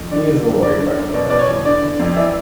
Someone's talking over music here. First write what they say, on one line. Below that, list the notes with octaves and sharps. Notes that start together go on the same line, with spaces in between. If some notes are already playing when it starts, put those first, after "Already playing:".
He a is lawyer by profession.
Already playing: F2
D3 D5
D3
G2
D3 D5
D3
F#2
B2 D5
B2 D5
C#5
E2
D3 D5
D3
F2
E3 D5 E5